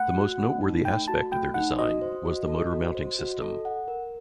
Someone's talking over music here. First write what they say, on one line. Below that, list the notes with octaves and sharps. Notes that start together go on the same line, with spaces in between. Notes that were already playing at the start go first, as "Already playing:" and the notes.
The most noteworthy aspect of their design was the motor mounting system.
Already playing: A3 F#5
F#4
A3
D#4
A3 G5
F#4 A5
A3 G5
D#4 F#5
F#4 D#5
C5
F#4
A4
F#4
C5
F#4
A4
F#5
A#4